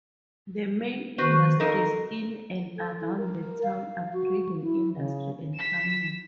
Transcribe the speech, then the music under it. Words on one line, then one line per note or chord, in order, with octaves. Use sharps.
The main industries in and around the town are breading industry and farming.
D#3 F#4 B4 C5
F2 D#4 A4 A#4
A4
E4
A#4
F5
F#4
E4
C#3
B6 E7